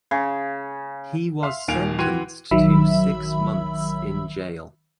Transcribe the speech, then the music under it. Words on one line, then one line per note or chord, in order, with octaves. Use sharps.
He was sentenced to six months in jail.
C#3
E5 F5 C6
D#1 D#2 F5 G#5 D7 F7
E3 F#4 G5 C6 G#6 D#7
A#1 D#3 F#3 E5 B5 E6